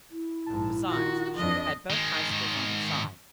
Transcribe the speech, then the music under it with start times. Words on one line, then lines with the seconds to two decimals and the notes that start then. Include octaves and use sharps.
Besides, she would have had both High Schools on her side.
0.11 E4
0.46 A#1 G#2 A5
0.89 D#3 F4 F#4
1.37 F2 D4 D#5
1.90 D#3 G#3
2.31 G#2 D#3